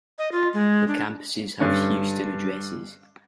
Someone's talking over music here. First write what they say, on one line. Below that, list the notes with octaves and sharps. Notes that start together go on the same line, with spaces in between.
The campuses have Houston addresses.
D#5
F4
G#3
D4
G2 D3 C#4